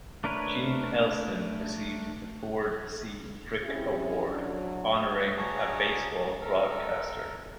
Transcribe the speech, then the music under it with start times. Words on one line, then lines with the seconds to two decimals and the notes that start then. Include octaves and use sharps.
Gene Elston received the Ford C. Frick Award honoring a baseball broadcaster.
0.24 A3 D4 A#4 B4 C#5
3.64 C4 C#4 E4 G4 G#4
4.30 F#3 D4
5.37 D4 F#4 G#4 C#5 A5 A#5
6.41 A4 A#4